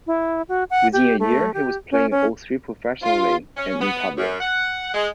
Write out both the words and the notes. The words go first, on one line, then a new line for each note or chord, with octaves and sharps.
Within a year he was playing all three professionally and in public.
E4
F#4
F#5
G4
A3
G4
C#4
C#4
F4
C#4
B3
F#2
F#5
G#3